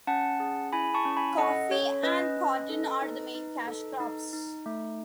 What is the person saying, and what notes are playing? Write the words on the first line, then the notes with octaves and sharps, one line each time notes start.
Coffee and cotton are the main cash crops.
C#4 F#5 A5
G#4
E4 G#5 B5
A5 C#6
C#4
G#5 B5
A4 D#5 F#5
C#4 C#5
C#4 B4 D#5
C#4
A4
D#4
D#4
A4
D#4
D#4
A3